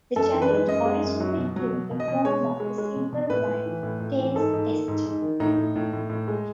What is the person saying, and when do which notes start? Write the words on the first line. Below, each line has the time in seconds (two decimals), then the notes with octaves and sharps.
The challenge originally took the form of a single blind taste test.
0.16 F#2 A4
0.33 E3
0.42 B4
0.50 G#3
0.67 F#2 D#5
0.85 G#3
1.03 F#2
1.20 F#3
1.38 B2
1.56 F#3
1.73 B2
1.91 B2
2.00 D#5
2.08 B2
2.25 G#3 C#5
2.43 B2
2.60 G#3
2.78 G#3
2.96 B2
3.13 B2
3.30 A2 B4
3.48 A2
3.66 E3
3.83 A2
4.00 A2
4.18 E3
4.35 G#2 A4
4.53 G#2
4.71 D#3
4.88 G#2
5.06 G#2
5.22 D#3
5.40 A2 D#4
5.57 A2
5.76 A2
5.93 A2
6.10 A2
6.28 G#3